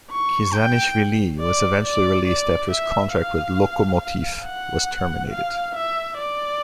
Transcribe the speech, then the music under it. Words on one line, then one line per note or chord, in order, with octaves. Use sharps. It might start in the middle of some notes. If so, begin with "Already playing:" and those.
Khizanishvili was eventually released after his contract with Lokomotiv was terminated.
C#6
G5
D5
D5
D5
E5
F5
F#5
F5
E5
D5